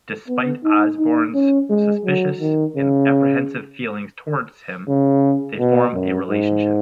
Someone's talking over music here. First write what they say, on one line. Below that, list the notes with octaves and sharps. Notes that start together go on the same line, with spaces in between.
Despite Osborne's suspicious and apprehensive feelings towards him, they form a relationship.
B3
D#4
D#4
C#4
G#3
F#3
D#3
C#3
C#3
B2
F#2
G#2